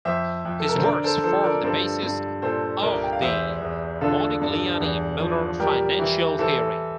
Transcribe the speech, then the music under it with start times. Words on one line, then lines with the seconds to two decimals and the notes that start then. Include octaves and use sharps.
His works formed the basis of the "Modigliani-Miller Financial Theory".
0.05 F2 C5 E5
0.45 F2
0.60 A4
0.68 A#4
0.76 C5
0.84 D3 A#4 D5
1.04 A4 C5
1.24 F3 A4 C5
1.44 A#4 D5
1.63 G2 A4 C5
2.03 G2
2.42 A#2 A4 C5
2.82 C2 A#4 D5
3.03 G5
3.13 F5
3.22 E2 C5 E5
3.61 E2
4.01 D3 F4 A4
4.41 G2
4.80 E2
5.20 F3
5.60 G3 G4 A#4
5.99 E3
6.39 E3 A4 C5